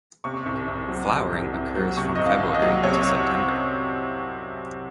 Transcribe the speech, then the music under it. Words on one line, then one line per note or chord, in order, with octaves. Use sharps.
Flowering occurs from February to September.
C3 C#6
C2
C2
F#3
C3
C2
C2
F#3
C3 C#6
C2 D#5
F5
C2
D#5
F#3
C3 C#5